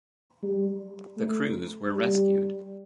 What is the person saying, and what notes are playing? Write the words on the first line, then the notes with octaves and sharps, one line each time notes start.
The crews were rescued.
G3
A3
G3